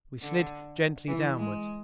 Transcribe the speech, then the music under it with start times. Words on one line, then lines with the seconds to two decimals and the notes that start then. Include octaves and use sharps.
We slid gently downward.
0.22 D3
1.08 E3
1.37 G#3